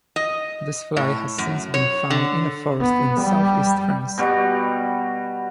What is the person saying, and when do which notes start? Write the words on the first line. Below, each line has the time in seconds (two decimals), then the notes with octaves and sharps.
This fly has since been found in a forest in south-east France.
0.16 D#5
0.97 A2
1.38 F#2
1.74 C#5
2.10 D3
2.82 B3
3.20 G3
4.18 B2 G3 F#4